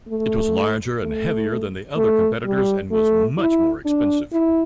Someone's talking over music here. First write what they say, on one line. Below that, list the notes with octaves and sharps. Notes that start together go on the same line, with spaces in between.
It was larger and heavier than the other competitors and was much more expensive.
A3
A3
A3
G3
A3
E4
D4
E4